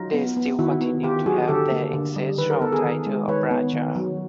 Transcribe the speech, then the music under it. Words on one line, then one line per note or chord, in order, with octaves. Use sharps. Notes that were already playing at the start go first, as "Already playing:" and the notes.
They still continued to have their ancestral title of Raja.
Already playing: F#3 D#4 F4
B3
B3
D#3 E4 F#4
B3
D#3 F4 G4
F#3 F#4 G#4
D3 G4 A4
A#3
D3
G3
D#3 B4
A#4
B3 A4
G#4 A#4
D#3
G#3
D#3 B4 C#5
B3
D#3
F#3